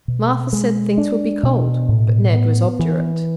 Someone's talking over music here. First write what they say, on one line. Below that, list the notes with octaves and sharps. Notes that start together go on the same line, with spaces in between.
Martha said things would be cold, but Ned was obdurate.
B2
G#3
D4
B2
A2
B3
E3